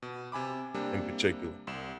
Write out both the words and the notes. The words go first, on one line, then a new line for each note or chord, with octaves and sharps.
in particular?
B2
C3 G#5 B5 D6
C3 G3 A#3 D4
C2 E7